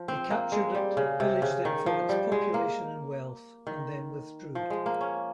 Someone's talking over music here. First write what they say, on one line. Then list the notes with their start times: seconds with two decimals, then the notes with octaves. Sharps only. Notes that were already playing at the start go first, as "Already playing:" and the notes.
They captured it, pillaged it for its population and wealth, and then withdrew.
Already playing: F3
0.08 C4
0.31 A#3
0.52 G#3
0.75 G3
0.97 C#3
1.20 C3
1.42 C#3
1.65 D#3
1.86 F3
2.09 G3
2.32 G#3
2.54 A#3
3.67 D#3
4.55 F3
4.70 G#3
4.86 A#3
5.01 C#4